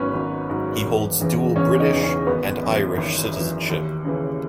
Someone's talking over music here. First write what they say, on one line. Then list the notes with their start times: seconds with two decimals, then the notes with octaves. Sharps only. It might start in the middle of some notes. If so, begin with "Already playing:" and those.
He holds dual British and Irish citizenship.
Already playing: G#1 G#2 F#3 B3 C#4 B4 C#5
0.14 G#1
0.50 G#2 F#3
0.85 E1
1.20 E2 C#3 E3
1.56 E1 C#4 C#5
1.80 D#4 D#5
1.92 E2 C#3 E3
2.03 C#4 C#5
2.27 G#1 B3 B4
2.63 F#2 E3
2.98 G#1
3.33 F#2 E3
3.69 D#2
4.05 C#3 E3